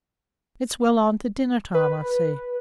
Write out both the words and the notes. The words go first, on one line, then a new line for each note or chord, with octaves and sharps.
It's well on to dinner-time, I see.'
B4